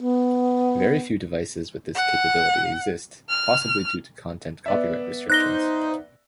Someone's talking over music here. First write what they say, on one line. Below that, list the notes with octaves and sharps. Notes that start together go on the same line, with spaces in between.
Very few devices with this capability exist, possibly due to content copyright restrictions.
B3
F#5
F6
B3 D5 E5
D#4 C5 F#6 A#6 G7